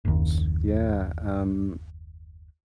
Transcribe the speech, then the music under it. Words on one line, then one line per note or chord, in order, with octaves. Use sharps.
S yeah, um,
F#1 D#2